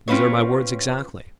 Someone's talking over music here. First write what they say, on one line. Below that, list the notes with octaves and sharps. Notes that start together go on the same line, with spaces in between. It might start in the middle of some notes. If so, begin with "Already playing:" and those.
"These are my words exactly."
C4 C#4 F4 B4 C#5